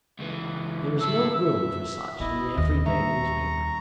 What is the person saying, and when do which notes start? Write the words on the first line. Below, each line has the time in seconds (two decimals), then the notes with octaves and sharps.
There is no room for such in the everyday newspaper.
0.19 C#2 E3
1.01 E4 A4 E6
1.45 E5
2.20 B3 E4 D#5
2.57 D#2 D#5
2.86 G3 D4 E5 A#5 C#6